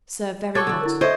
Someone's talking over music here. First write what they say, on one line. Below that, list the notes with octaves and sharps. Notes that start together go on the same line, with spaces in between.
Serve very hot.
F#4 A4 C#5 C#6 D6 A6
D3 F#4
E4 A#4
A4 C5 C#5 D#5 E5